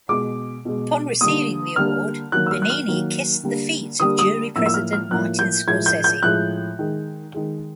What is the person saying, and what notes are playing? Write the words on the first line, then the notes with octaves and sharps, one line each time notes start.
Upon receiving the award, Benigni kissed the feet of jury president Martin Scorsese.
B2 G#3 D6
B2 G#3
D3 G3 A#3 D#6
D3 G3 A#3 F6
D#3 F#3 A#3 F#6
E6
F6
F#6
F6
D#3 F#3 A#3
D3 G3 A#3
D3 G3 A#3 D#6
D#6
A2 F3 A#3 E6
E6
F6
F6
A2 F3 A#3 F#6
G6
A2 F3 G#3 G#6
G6
G6
A2 F3 G#3 F#6
D#3 G#3
D#3 G#3